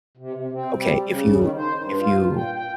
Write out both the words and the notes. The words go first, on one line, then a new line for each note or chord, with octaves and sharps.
okay, if you if you
C3
C3
C4
G3
C#3
D#3
C5
G2
F4
A#2
G5
G5